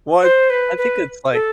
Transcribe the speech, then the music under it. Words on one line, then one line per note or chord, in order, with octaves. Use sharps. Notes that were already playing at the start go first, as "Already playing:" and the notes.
Well it's I think it's, like
C5
B4
B4
A4